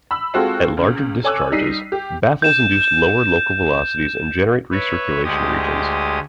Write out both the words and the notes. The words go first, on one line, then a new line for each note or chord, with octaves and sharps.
At larger discharges, baffles induce lower local velocities and generate recirculation regions.
B5 E6
G#3 C4 F4 F#4 A4
C#2
A4 C#5 G#5 D6 E6 F#6
G3 D#4 B6 C7 D#7
G4
G6 E7
B4 C#5 E5
D2 G#3 G4 D#6